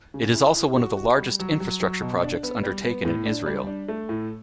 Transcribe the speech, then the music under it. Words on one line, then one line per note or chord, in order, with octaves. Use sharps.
It is also one of the largest infrastructure projects undertaken in Israel.
C#3
E4
E4
F#4
F#4
G3
F#3
F#3
F#3
B2
D4
B3
G3
B3
A2
D4
G3
D4
A3
A2